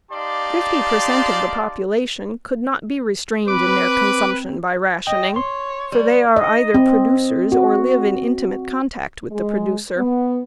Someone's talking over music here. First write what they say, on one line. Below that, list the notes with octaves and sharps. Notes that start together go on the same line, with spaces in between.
Fifty per cent of the population could not be restrained in their consumption by rationing, for they are either producers or live in intimate contact with the producer.
D#4 G4 D5 F5 A5 C6
C4 B4 D6
D#5 G5
C#5 C6
G3
D#5
C4
F#4
G#3
B3